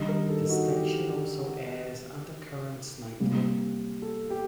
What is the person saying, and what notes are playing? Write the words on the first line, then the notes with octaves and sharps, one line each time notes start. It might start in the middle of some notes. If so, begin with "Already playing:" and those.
The station also airs "UnderCurrents" nightly.
Already playing: D#3 G3 D4 D#4
A#4
A4
D#4
F#4
G4
C3 G3 A#3
A4
G4